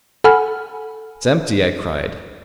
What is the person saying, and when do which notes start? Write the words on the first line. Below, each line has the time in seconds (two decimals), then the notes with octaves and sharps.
"It's empty," I cried.
0.24 A4 F#5 G#5 B5 F6